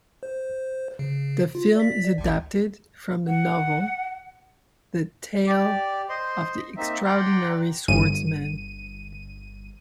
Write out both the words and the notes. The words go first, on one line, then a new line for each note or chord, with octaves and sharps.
The film is adapted from the novel "The Tale of the Extraordinary Swordsman".
C5
C#3
F4
D5 B6
G#1 C#2
F#5
G4 D5
C5 D#5 C6
A#3 C4 D#4 E5
D5 F#5 G5 A#5 C6
G1 D#7